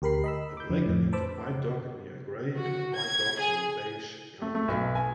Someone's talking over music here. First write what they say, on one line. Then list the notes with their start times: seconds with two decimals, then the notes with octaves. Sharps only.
A black and white dog near a gray and white dog on beige carpet.
0.02 D2 G4 A#4 B5 C7
0.24 D#5 B5 E6
0.57 D6 G6
0.70 F2 D3
0.86 F2 A2
1.13 B4 C5 A5 B5 D6 E6
2.56 F#4
2.94 G#6
3.39 G#4
4.42 A3
4.55 A3
4.68 B1
4.95 G#5